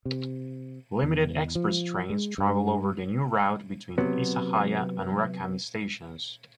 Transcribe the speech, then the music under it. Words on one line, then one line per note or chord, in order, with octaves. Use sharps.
Limited express trains travel over the new route between Isahaya and Urakami stations.
C3
E2
F3
G#3
G2
C3 F#3 B3